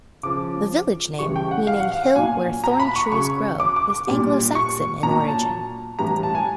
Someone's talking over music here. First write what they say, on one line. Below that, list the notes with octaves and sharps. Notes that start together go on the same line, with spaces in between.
The village name, meaning "hill where thorn trees grow", is Anglo Saxon in origin.
C#3 F3 D6
C#3 E3 G3 C#6
G5
F#5
F5
F#5
F5
A#2 F#3 G#5
A#5
B5
C#6
C#3 F#3 C#6
D6
D6
A#2 G3
C#6
A#2 F#3 A#5
A5
A2 E3 G3 A#5
A5
G#5